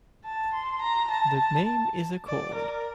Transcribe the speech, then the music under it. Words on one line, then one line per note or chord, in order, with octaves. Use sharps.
The name is a cord.
A5
C6
A#5
A5
A5
D5
A#4